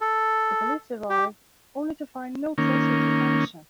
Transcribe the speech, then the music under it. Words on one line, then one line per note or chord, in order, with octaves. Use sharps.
The police arrive, only to find no trace of the Punisher.
A4
G4
D#3 A#3 C#4